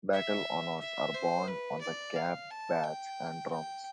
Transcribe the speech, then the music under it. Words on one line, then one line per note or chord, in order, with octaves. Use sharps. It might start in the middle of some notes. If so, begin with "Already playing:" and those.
Battle honours are borne on the cap badge and drums.
E5
E5
C5
B4
D5
F5
A5
G5
G5